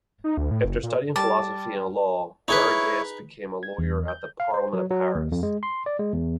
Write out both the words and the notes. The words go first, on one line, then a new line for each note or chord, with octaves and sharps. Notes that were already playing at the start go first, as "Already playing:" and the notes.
After studying philosophy and law, Bergasse became a lawyer at the Parlement of Paris.
D#4
D2
A2
F#1
A#2
G3 A5 D6 A6
D#4 E4 G#4 B4 C#5
G#6
E2
G6
F5
C5
F#3
F#3
D#2
F2
G#3
C6
D5
G#3
E2